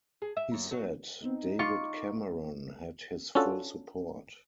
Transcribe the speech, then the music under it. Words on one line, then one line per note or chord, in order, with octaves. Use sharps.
He said David Cameron had his full support.
G#4
E5
F#2
F#3
B3 C4 D#4
F4 C#6 D6
C#4 D4 F4 F#4 A4